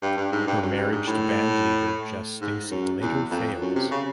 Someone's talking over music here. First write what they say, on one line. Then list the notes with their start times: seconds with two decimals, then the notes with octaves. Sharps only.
Her marriage to bandleader Jess Stacy later fails.
0.02 G2
0.17 G2
0.32 G#2
0.47 G2
0.62 F#2
0.77 G2
0.92 G#2
1.07 A2
2.41 G#2
2.71 F#2
3.01 E2
3.31 F2
3.61 F#2
3.75 C3
3.91 C#3